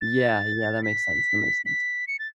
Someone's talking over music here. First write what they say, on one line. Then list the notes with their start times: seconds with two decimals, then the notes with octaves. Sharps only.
Yeah, yeah, that makes sense, that makes sense.
0.01 A6
0.83 B6
1.66 B6
2.08 C#7
2.19 A6